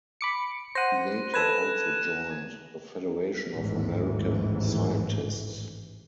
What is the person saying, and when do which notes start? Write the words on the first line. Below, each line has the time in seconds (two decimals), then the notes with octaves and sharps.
He later also joined the Federation of American Scientists.
0.21 B5 D6 C#7
0.75 C5 F#5 A#6 D#7
1.34 A4 B4 F#6 G#6 E7
3.54 A1 D#2 G#2 E3